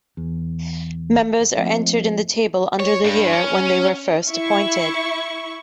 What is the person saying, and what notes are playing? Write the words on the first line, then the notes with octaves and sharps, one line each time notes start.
Members are entered in the table under the year when they were first appointed.
E2
G#1
F3 A3 A#3 C4 F4 D#5
C#5
G2
C#4
E4 C#6